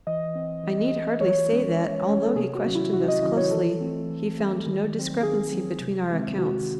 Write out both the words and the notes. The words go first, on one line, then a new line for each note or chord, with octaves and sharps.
I need hardly say that, although he questioned us closely, he found no discrepancy between our accounts.
E3 D#5
C4
E3
C4
E3 C#5
G#3 C#4
E3
G#3 C#4
A4
C3 G#4
F#4
D#3 F#3 C#4
E4
C3 F#4
D#5
D#3 F#3 C#4 D#5
C#5
E3 A4
A3 C4
E3
A3 C4
D#3
F#3 C4
D#3 G#4
F#3 C4
C3
D#3 G#3 C4
C3 F#4